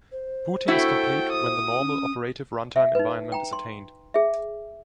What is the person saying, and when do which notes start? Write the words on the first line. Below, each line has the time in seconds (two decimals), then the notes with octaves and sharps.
Booting is complete when the normal, operative, runtime environment is attained.
0.12 C5
0.68 A3 E4 F#4 A4 G5
1.32 D#6
1.80 C#4
2.76 E5
2.95 D#4 B4
3.32 G5 A#5
3.53 C6
4.14 G#4 E5